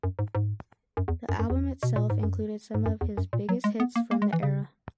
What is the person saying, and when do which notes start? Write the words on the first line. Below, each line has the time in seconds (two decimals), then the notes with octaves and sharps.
The album itself included some his biggest hits from the era.
0.03 F#2
0.19 G#2
0.35 G#2
0.97 F#2
1.08 E2
1.29 F#2
1.39 F#2
1.50 E2
1.83 B2
1.96 A#2
2.10 G#2
2.23 F#2
2.75 G#2
2.86 F#2
3.01 E2
3.17 F#2
3.33 A#2
3.49 F#3
3.64 G#3
3.80 B3
3.96 A#3
4.11 A#3
4.22 G#3
4.33 E3
4.43 C#3